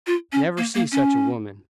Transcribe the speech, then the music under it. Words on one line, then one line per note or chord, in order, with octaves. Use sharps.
I never see such a woman.
F4
C#4
A#3
A#3
C#4